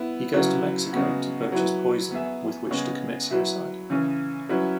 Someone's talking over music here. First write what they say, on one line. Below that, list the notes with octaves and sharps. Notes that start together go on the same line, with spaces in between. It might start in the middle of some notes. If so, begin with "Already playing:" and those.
He goes to Mexico to purchase poison with which to commit suicide.
Already playing: B3 E4
C#3 F#3 E4 B4
C#3 G#3 B3 F#4
F#3 E4 B4
B3 G#4 E5
C#3 G#3 B3 G#4 C#5
F#3 E4 B4 E5
C#3 E3 C#4
F#3 C#4 E4 B4